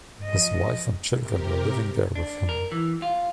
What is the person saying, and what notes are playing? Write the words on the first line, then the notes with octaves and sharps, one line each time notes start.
His wife and children were living there with him.
F3 D#5
C3 G4 A#4
D4
A#4
E3
F4